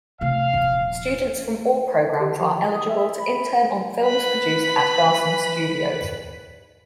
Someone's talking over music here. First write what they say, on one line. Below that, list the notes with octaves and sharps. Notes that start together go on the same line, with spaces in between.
Students from all programs are eligible to intern on films produced at Garson Studios.
C3 A3 F5
D#1 F3
G4
F3
D#6
E5
B5
B4 B5